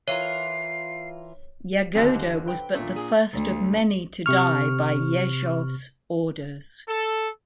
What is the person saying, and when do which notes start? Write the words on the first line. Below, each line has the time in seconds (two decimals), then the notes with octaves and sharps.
Yagoda was but the first of many to die by Yezhov's orders.
0.08 E3 F4 A#4 C#5 C7
1.95 D#2 D3 F#3 C4
2.45 B4 G5
2.75 A#2 A3 D4
2.96 G#4
3.33 D2
4.26 C3 C#6 F6
6.89 A4